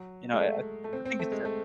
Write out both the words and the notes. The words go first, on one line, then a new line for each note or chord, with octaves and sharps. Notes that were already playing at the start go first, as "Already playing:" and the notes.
you know, I I I think it's different.
Already playing: F#3
G#3
A3
A3
C4
C4
A3
G#3
A3